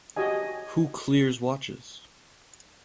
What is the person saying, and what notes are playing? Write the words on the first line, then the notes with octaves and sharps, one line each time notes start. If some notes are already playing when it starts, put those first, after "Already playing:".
Who clears watches?
F#4 G4 D#5 G#5